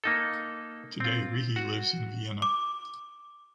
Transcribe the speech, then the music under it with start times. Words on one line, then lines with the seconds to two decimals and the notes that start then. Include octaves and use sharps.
Today, Rehe lives in Vienna.
0.04 A#3 D#4 A4
1.00 C4 F4
1.56 F#4
2.42 D6